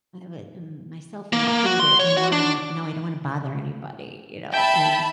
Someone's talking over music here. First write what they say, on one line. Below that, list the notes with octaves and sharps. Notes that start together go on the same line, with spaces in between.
uh, I I wouldn't myself included, more like, "No, I don't wanna bother anybody," you know, and
A#3
A#3
F#4
C6
C#5
F#4
D4
E5 G5 A5 B5